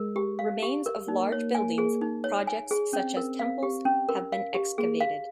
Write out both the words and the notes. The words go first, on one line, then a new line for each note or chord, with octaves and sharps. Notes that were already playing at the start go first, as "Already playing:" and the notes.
Remains of large buildings projects, such as temples, have been excavated.
Already playing: G#3 A#4
G4
F5
G4
A#4
A#3 D#4
C#5
G#5
G#4
D#4
C#5
G#5
G#4
C4 C#4
A#4
F5
G4
C#4
A#4
F5
G4
A#3 G#4
F5